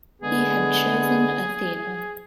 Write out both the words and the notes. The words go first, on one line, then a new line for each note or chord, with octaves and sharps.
He had chosen Athena.
D3 G#3 B3 G#4